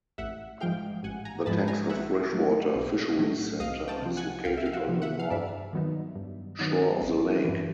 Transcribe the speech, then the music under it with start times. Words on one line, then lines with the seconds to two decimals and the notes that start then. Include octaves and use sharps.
The Texas Freshwater Fisheries Center is located on the north shore of the lake.
0.18 A1 E5 F#5
0.60 G#2 F3 G#3 F5 G5
1.03 A1 F#5 G#5
1.25 G#5 A#5
1.46 G#2 F3 G#3 A5 B5
1.68 G#5 A#5
1.89 B1 E5 F#5
2.32 A2 F#3 A3
2.75 B1
3.17 A2 F#3 A3
3.60 C2 D#5 F5
3.88 G5 A5
4.02 C3 F3
4.17 F#5 G#5
4.45 C2 F5 G5
4.57 E5
4.66 F5
4.73 E5 F#5
4.88 C3 F3
5.02 E5 F#5
5.19 F5
5.30 G2 D5 E5
5.73 D#3 F#3 B3 D#4
6.15 G2
6.59 D#3 F#3 B3 D#4
7.02 G#1
7.45 G2 E3